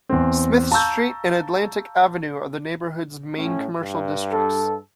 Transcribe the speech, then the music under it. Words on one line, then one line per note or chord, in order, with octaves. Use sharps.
Smith Street and Atlantic Avenue are the neighborhood's main commercial districts.
E2 C4
F5 A5 A#5 C#6 E6 G6
A2 C#4
G2
A4